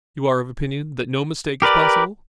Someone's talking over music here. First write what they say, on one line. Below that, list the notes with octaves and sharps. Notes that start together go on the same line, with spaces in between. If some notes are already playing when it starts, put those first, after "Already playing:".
"You are of opinion that no mistake is possible?"
G4 A#4 B4 D5